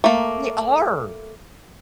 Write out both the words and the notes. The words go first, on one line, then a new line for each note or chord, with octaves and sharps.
They are.
A3 A#3